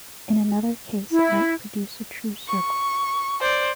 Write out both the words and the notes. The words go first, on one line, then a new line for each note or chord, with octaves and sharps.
In another case it might produce a true circle.
E4
C#6
C5 D5